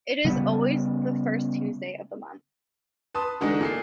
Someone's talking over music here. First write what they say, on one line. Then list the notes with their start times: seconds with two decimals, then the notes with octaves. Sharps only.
It is always the first Tuesday of the month.
0.25 C#3 G3 B3
3.15 B4 A5 C6 D#6
3.41 D3 E3 G#3 A3 D4 D#4
3.61 A#2 A4 C7